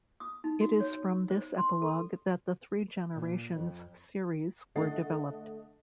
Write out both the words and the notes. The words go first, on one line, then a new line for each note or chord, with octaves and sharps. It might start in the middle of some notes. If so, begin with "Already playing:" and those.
It is from this epilogue that the three Generations series were developed.
D#6
D#4
F#4
C#5
C5
C6
A4
A#2
F2
D3 A3 D#5 F#5 A6 C7